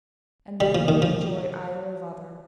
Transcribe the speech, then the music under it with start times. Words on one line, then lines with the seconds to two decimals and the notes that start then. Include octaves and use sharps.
And then they made joy either of other.
0.60 G3
0.75 F3
0.88 D#3
1.02 F3